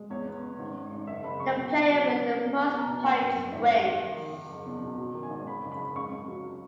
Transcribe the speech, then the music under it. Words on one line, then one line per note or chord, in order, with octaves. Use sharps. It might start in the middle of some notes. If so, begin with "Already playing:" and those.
The player with the most points wins.
Already playing: G#3
E2 C#5
B3
C#3
G#1
G#2
G#1
F#1 E5
F#1 B5
F#2 C#6
B2
C#4
F#3
C#3
A#3
A#3
E2
B3
A#5
B2
A#3 F#5
F#2
F#2
G#1 E5
G#1
F#5
G#1
D#3
D#3
D#3
F#1
E2
B2
F#3
D#3
G#5
G#1
C#3 B5
F#1
B5
F#1
C#2 C#6
C#2
F#3